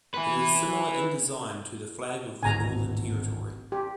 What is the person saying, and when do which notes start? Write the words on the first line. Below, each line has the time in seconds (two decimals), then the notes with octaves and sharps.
It is similar in design to the flag of the Northern Territory.
0.14 E4 B4
2.43 D1 G#1 B2 G#5 A#5
3.72 G4